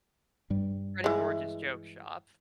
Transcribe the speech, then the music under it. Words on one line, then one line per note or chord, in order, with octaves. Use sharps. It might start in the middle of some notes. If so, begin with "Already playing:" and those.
Fred and George's joke shop,
G2 G3
E3 G#3